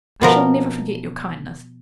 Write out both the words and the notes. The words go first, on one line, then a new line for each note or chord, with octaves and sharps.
I shall never forget your kindness.
B2 F3 A#4